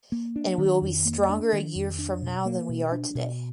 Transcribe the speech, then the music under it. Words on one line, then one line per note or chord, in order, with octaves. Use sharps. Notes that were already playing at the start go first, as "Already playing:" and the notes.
And we will be stronger a year from now than we are today.
A#3
D4
D#3
F2
A#3
D4
D#3
F2
D4
B2
A#3
B2
D4
B2